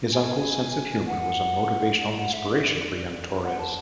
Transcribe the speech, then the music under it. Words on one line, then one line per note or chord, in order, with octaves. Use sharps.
His uncle's sense of humor was a motivational inspiration for young Torres.
G#5
F#5
D5
F#5
E5
D5
F#5
A5